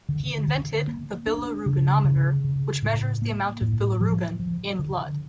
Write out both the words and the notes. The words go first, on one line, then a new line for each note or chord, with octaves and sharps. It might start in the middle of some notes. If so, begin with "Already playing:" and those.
He invented the bilirubinometer which measures the amount of bilirubin in blood.
D3
D3
A#3
D4
C#3
C#3
C#3
A2
A#3
A2
F3
F3
D3